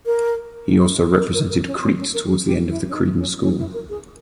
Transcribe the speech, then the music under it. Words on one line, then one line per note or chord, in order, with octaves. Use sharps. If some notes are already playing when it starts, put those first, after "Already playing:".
He also represented Crete towards the end of the Cretan School.
A#4
A#4
A#4
A#4
C#4
C#4
C#4
A#4
G#4
G4
E4
C#4
D#4
C#4
C#4
E4
A#4
G#4